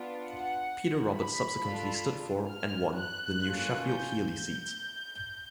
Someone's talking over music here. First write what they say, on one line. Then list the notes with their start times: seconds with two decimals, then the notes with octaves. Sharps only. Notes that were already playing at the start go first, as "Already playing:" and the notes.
Peter Roberts subsequently stood for, and won, the new Sheffield Heeley seat.
Already playing: B3 D4 F4
0.24 F#5
1.15 B5
1.60 D4 F4 A4
2.52 F6
2.97 F#6
3.43 A#3 C#4 F4 A4
3.88 G6
4.34 G6